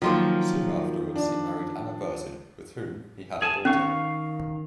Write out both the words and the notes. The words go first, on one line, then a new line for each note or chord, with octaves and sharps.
Soon afterwards he married Anna Berzin, with whom he had a daughter.
D#3 F3 F#3 A#3
D4
G#4 G#5 A5
D#3 C#4 F5 C#6